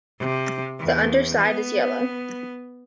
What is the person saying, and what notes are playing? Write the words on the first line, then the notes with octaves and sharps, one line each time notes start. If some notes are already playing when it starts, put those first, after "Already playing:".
The underside is yellow.
C3
E2
B3